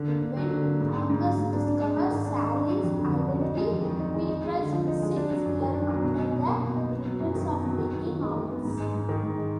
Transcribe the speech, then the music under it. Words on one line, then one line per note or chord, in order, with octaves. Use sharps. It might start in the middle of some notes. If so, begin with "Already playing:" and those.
When Angus discovers Sally's identity, Beatrice visits her under the pretense of making amends.
Already playing: D3
A#3
D3
F#3
D3
A#3
G#2
D4
G#2
F#3
G#2
D4
D4
G#3
G#2
D#3
D4
G#3
D4
F#3
F2
D3
D4
F#3
D#4
G#3
F2
D#3
D#4
G#3
D#4
G#3
D3
F3
D#4
G#3
D4
F#3
F#2
D#3
D4
F#3
B2
D#4
B2
A#3
B2
D#4
B3
F#3
F#2
D#3
B3
F#3
D#3
B3
D#3
G#3
D#3
B3
G#2
G#3
G#2
D#3
G#2
G#3